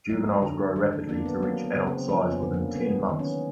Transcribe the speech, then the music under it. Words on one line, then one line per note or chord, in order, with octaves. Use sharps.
Juveniles grow rapidly to reach adult size within ten months.
F#3 D#4
D3
D#3 D4
D4
A#3 D4
B3
F#3 A#3
B3
C#3
C4
F3 C#4
B3
D3
A#3
F#3 B3
D#3
C#4